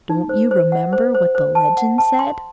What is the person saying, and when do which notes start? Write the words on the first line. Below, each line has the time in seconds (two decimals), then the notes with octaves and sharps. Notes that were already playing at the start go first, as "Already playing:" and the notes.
Don't you remember what the legend said?
0.10 D#4
0.29 C5
0.51 C5
0.72 F#5
0.93 C5
1.15 C5
1.35 C5
1.55 A5
1.77 F#5
1.98 A5
2.19 C6